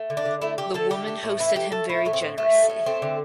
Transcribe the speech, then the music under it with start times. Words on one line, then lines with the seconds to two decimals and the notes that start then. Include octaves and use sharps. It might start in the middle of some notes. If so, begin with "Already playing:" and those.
The woman hosted him very generously.
Already playing: A3
0.10 D3
0.17 D4
0.25 D3
0.42 A3 E4
0.58 A3 G4
0.74 D3 A4
0.91 A3 G4
1.08 A3
1.23 A2
1.39 E3 E4
1.56 A3 G4
1.72 A3 A4
1.89 A2 E4
2.05 A2 A3
2.13 C4
2.22 A2
2.37 A2 A3
2.54 G3
2.62 A3
2.70 A2
2.86 A3 C4
3.02 D3